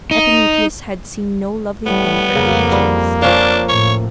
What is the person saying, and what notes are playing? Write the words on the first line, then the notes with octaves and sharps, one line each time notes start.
Epimetheus had seen no lovely thing for ages.
D#4
A2 G3 B3
F2 C#3 A#3
G3
F3 C#4 D4 F5
A2 C#5